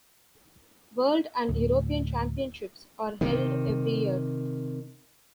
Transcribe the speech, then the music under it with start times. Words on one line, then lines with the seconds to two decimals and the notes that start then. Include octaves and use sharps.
World and European Championships are held every year.
1.49 D2 A2
3.21 C3 D#3